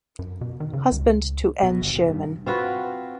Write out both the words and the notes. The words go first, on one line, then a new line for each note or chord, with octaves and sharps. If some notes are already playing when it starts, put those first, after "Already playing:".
Husband to Ann Sherman.
F#2
B2
D#3
C#3
C#2
B2
G1
F1
G2
C4 F4 F#4 B4